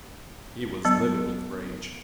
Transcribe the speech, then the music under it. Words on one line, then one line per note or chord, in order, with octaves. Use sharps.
He was livid with rage.
F#3 B3